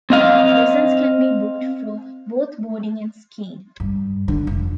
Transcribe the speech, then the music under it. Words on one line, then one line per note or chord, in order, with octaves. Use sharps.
Lessons can be booked for both boarding and skiing.
C4 D#5 F5
G2
D3
F1